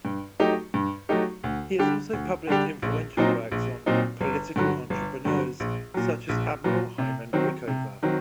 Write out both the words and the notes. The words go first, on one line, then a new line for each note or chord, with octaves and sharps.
He has also published influential works on 'political entrepreneurs' such as Admiral Hyman Rickover.
G2
F#3 A3 D#4 G4
G2
F#3 A3 D#4 G4
D2
D3 G3 D4 G4
D2
D3 G3 D4 G4
A#1
A#2 F#3 C4 D#4
A#1
A#2 F#3 C4 D#4
G1
G2 D3 F#3
G1
G2 D3 F#3
A#1
A#2 F#3
A#1
A#2 F#3
C3
D#3 F#3 C4
C3
D#3 F#3 C4